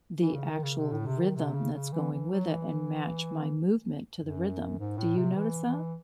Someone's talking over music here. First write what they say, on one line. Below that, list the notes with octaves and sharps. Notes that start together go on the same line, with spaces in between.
the actual rhythm that's going with it and match my movement to the rhythm, do you notice that?
E3
C#3
D#3
C#3
C3
A2
C3
D#3
C3
C#3
C#3
E3
E3
F#3
E3
F#2
G#2
A2
C3
E3
E3